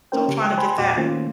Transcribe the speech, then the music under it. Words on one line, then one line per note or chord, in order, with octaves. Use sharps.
So, trying to get that
A#3 C#4 A#4 C5 G5
C#3 G4
G#3 G5
C5 G5 G#5 B5 C6
E2 A#2 F#4 F#5 G5 D6
D#3 A3 A#3 C#4 F4 C5